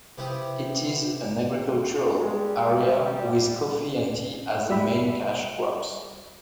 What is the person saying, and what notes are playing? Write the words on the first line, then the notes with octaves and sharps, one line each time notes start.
It is an agricultural area with coffee and tea as the main cash crops.
C3 F3 E4 G4 B4 D#6
G3 G#3
G3 E5 B5